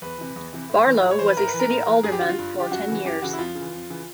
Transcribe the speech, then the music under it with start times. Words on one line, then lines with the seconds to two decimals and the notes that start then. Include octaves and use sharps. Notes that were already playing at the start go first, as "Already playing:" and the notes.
Barlow was a city alderman for ten years.
0.02 E2 B4
0.18 C3 E3
0.36 E2
0.53 C3 E3
0.69 A2
0.86 E3
1.02 A2
1.11 C#5
1.19 E3 C5
1.28 B4
1.37 A2 A#4
1.48 B4
1.54 E3
1.59 A#4
1.70 A2
1.87 E3
2.03 G2 G#4
2.12 G4
2.21 D3 F#4
2.29 F4
2.38 G2
2.54 D3
2.60 G4
2.71 F#2 F#4
2.88 C#3 E3
3.05 F#2 G4
3.22 C#3 E3 F#4
3.33 E4
3.38 F2 F4
3.55 C#3
3.61 E3
3.73 F2
3.90 C#3 E3